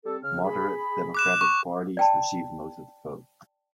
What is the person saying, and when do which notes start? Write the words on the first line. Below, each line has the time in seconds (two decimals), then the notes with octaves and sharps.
Moderate democratic parties received most of the vote.
0.06 G3 C4 A4
0.24 C#3 F6
0.44 G#4 B5
1.15 D6 F#6 E7
1.41 C#6
1.97 D5 G5 A5